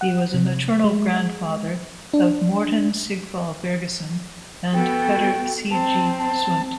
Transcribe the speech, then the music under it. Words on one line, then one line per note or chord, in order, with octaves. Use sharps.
He was a maternal grandfather of Morten Sigval Bergesen and Petter C. G. Sundt.
F#5
C3
G#3
D4
B3 F#4 A4 G5
C4 A5
A5